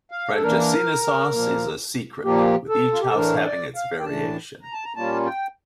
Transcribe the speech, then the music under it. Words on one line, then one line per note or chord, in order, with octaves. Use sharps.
Francesinha sauce is a secret, with each house having its variation.
F5
A4
E3 A#3 D4 A#4
A#2 F3 A#3
A#2 F3 A#3 G4
A4
F4
G4
A4
A2 E3 A3 D4 A#4
D5
F5
G5
A2 E3 A3 D4 A5
A#5
A5
A#5
A#2 G3 A#3 C#4 F4 A5
G5